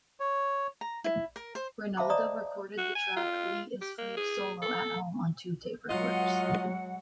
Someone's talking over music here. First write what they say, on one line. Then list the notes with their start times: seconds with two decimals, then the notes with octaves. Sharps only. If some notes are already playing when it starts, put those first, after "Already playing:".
Ranaldo recorded the track "Lee Is Free" solo at home on two tape recorders.
0.20 C#5
0.81 A#5
1.04 E4
1.36 A#4
1.55 C5
1.97 C5 E5 F5 A5 B5 D6
2.10 D5 D#5 A#5 D#6
2.78 F#4
2.95 G#5
3.16 F4
3.81 G4
3.98 A#3
4.17 G#4
4.62 A4
5.89 F#3 G#3 F4 D#5 F#5